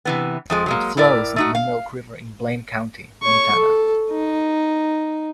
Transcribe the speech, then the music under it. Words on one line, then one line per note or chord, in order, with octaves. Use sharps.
It flows into the Milk River in Blaine County, Montana.
C3 E3 B3
F2 F3 G#3
F#3 G#3 A#3
A2 E4 A#4 D5
A3 D#4 F#4
F5
C#5 C#6
A4
D#4